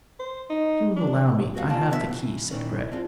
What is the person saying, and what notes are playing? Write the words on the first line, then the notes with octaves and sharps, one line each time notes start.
"If you will allow me, I have the key," said Grey.
C5
D#4
D4
F#4 G4 C5 D#5 F5 F#5
A#3 F4 D5 G#5 A5
G2 F3 B3 D4 A#4 E5
E2 B2 E3
A#2 D#3 E3 C#4 D4
C4 D4 F4 G#4